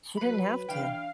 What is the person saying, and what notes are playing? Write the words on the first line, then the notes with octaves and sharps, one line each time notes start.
she didn't have to.
F#3 B4 B5
E3 D4 F5 G5